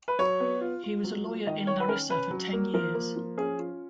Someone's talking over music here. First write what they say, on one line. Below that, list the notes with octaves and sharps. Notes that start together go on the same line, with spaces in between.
He was a lawyer in Larissa for ten years.
B4
F#3 C#5
B3
F4
F4
F#3
F4
D#3 D#5
D#3 C#5
B4
C#4 A#4
C#4 B4
F#3
A#3
F3 A#4
A#3
F3
C#4 G#4
F4